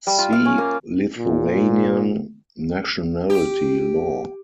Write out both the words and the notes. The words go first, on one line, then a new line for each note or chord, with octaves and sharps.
See Lithuanian nationality law.
G3
F4
F5
C#4
A#3
A#2
G4